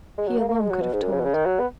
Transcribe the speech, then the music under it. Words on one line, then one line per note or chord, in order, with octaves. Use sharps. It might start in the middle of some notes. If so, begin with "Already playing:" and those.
He alone could have told.
G#3
F#3
A#3
A#3
G#3
F#3
B2
G#2
F#2
C#3
B2
C#3
D#3
F#3
B3